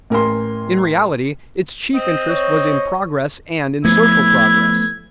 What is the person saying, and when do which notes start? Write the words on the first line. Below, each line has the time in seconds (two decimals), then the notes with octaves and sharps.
In reality its chief interest was in progress and in social progress.
0.10 A1 A#4 G#5 C6
1.95 C4 D#5
2.29 C#5
3.85 F3 A3 B3 E4 G#6